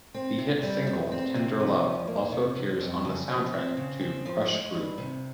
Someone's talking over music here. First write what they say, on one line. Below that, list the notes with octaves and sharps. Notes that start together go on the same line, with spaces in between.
The hit single "Tender Love" also appears on the soundtrack to "Krush Groove".
C4
C3
G3
F2
C4
C3
F3
E2
A#3
C3
F3
F2
C#3
F3
C4
C#3
C4
F3
G#3
G2
C3